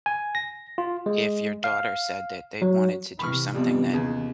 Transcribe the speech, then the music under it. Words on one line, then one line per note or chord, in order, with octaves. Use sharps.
if your daughter said that they wanted to do something that
G#5
A#6
F4
G#3
F5
F#3
C3 E3 B5 C#6 F6
G#1 F2 G3 B3 F4
D#2 C#3